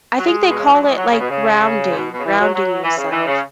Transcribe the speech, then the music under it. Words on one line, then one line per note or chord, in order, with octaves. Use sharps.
I think they call it like grounding. Grounding yourself.
F#3
G#3
B2
C#3
E3
F#3
G#3
E3
F#3
C#3
B2
C#3
G#2
B2
B2
C#3
E3
F#3
F#3
E3
C#3
E3
C#3